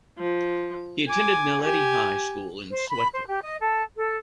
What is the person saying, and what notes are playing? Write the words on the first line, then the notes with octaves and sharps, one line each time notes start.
He attended Naledi High School in Soweto.
F3
G#5 D6
G4 G#5
C5
B5
C5
G4
D#5
A4
A4